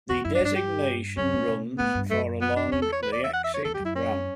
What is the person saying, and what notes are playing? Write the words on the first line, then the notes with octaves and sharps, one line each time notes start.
The designation runs for along the exit ramp.
E2 F#4
F#2 E4
D4
G2
D4
G4
F#2 C#4
A2
B2
A2 B3
G2
F#2 A3
B3
D4
E2 C#4
A4
C#5
B4
D5
E5
F#5
E5
C#5
E2 A4
G4
F#2
E4
C#4